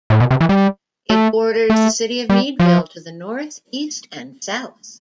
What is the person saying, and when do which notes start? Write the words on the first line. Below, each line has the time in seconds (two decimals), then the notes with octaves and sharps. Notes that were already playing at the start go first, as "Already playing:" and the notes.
It borders the city of Meadville to the north, east, and south.
0.10 A2
0.20 B2
0.31 C3
0.41 E3
0.49 G3
1.10 A3
1.70 A3
2.30 G3
2.60 F3